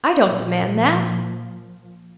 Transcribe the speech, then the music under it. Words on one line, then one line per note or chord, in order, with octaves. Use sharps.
I don't demand that.
A#2 F3